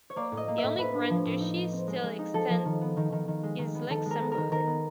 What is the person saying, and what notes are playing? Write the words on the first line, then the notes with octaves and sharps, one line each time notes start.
The only grand duchy still extant is Luxembourg.
C#5
A#3 D5
A2
D#5
A#3
E5
A2
A2 B4
D4
F3
A2
D#4
D#4
C4
G#3
G#3
D#4
F3 A4
F3
D#3
B3
D#3
D#3
D#3
G#3
D#3
B3
D#3 A4
G#3
A#4
B3
A#4
D#3
D#3 A#4
B3